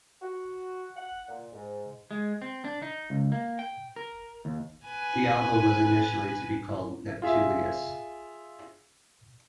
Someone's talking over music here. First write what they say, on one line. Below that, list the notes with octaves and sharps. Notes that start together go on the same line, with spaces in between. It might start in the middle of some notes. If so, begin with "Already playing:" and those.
The album was initially to be called "Neptulius".
F#4
F#5
A#2
G#2
G#3
C4
D4
D#4
C#2
A#3
G5
A#4
D#2
B4 G#5
F4 G#4 E5